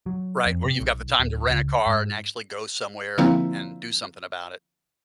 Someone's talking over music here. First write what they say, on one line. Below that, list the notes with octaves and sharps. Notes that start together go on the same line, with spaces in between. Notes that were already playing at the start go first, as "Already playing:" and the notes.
Right, where you've got the time to rent a car, and actually go somewhere and and do something about it.
F#3
F2
C3
B1
D1
C#2
G#2
D3 F3 A#3 C4 E4